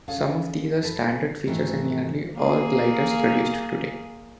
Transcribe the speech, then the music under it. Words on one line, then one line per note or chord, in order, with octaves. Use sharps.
Some of these are standard features in nearly all gliders produced today.
C#4 G#4 A4 F5
A4 B4
G#2 D#3 E3 A3 C4
A#3 G#4